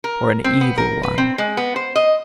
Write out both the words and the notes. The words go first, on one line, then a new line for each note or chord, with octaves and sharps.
Or an evil one?
A#4
C4
B3
A#4
B4
C4
G#3
B3
C5
D#5